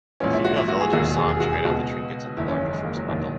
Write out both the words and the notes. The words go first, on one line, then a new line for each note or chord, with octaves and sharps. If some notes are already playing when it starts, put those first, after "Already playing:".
The female villagers saw and tried out the trinkets in the larger first bundle.
A#1 G#2 E3 C#4
E4
F#4
E4
F#4
G#4
E1 D#2 D#3 F#4
G#4
G#4
F#4
G#4
C#2 B2 F#4
F#1 E2 D#3 E4
C#4
A#3
G#3
A#3
F#3
E1 D#2 D#3